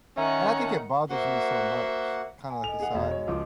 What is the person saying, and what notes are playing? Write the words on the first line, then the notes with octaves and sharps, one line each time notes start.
and I think it bothers me so much, kinda, like a side note,
D#3 C#4 E5 F#5 A#5
A#3 F#4 C5 E5 F#5
G#5
A4 D#5 F7
G#4 F#5
E1 F#4 G#4 D#5
C#5
C#2 F3 D6